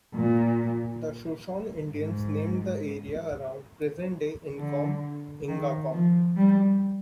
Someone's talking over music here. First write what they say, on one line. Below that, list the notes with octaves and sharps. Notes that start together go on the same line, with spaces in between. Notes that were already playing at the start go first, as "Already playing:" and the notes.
The Shoshone Indians named the area around present day Inkom, "Ingacom".
A#2
G#2
D3
D#3
F3
G3